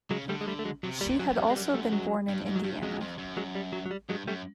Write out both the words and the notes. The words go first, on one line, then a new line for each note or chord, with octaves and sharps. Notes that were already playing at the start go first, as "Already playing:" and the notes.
She had also been born in Indiana.
C#3 F#3 G#3
D3 G3 A3
G#3
G3 A3
A3
F#3 G#3
C3 F#3
A#2 G3
G2 F#3
F#2
F2 G3
F#2 G#3
G3
G3 A3
F#3 G#3
G2
G#2
F#3
G2 G3
F2 F#3 G#3
F2
F#2
F#3 G#3
G3
F#3
F#3
G3
G2 F#3 G#3
F#2 G3 A3